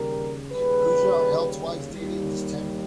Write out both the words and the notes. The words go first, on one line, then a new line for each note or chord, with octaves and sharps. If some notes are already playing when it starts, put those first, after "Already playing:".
Puja are held twice daily in this temple.
Already playing: D#2 C#3 G3 G4 A#4
D#2 C#3 G3 G#4 B4
D#2 D#3 G3